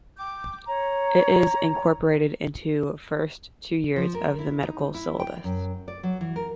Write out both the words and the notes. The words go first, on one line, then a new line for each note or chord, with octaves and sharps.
It is incorporated into first two years of the medical syllabus.
G5 D6 G6
C#5 A#5
F3
A#4
E4
D#4
E4
G5
F#2
D5
F#3
E3
A#4